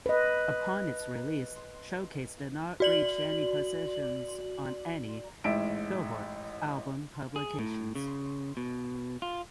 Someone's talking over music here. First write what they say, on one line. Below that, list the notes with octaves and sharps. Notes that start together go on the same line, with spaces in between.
Upon its release "Showcase" did not reach positions on any "Billboard" album publications.
B4 D#5
F#4 D5 F#7
A1 G#2 E5 D7
G#4
A2
C#3
B2
F4